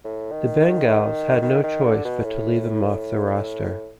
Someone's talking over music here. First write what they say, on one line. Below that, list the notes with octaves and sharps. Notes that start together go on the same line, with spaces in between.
The Bengals had no choice but to leave him off the roster.
A2
D#3
D#3
D#3
D#3
D3
B2
A2